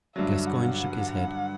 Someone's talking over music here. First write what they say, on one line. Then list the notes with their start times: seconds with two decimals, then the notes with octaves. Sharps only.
Gascoyne shook his head.
0.16 G2 D3 F#3 E5
0.47 F#5